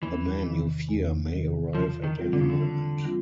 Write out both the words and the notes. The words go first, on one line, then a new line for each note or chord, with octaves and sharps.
The man you fear may arrive at any moment.
E2 E3
C3 D#3
E2
C3 D#3
C#3 F3
D#3
E3 G3 C4 F4
D3
C#3
D3
C#3
E3 G3 C4 F4